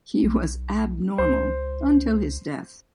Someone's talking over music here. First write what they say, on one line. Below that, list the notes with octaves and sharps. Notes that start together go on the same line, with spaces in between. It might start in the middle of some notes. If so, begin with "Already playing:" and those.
He was abnormal until his death.
B1
C#2 C5